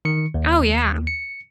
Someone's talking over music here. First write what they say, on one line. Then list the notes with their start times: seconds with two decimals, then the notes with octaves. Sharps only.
Oh, yeah.
0.05 D#3 C#7
0.34 D#2
1.07 C#7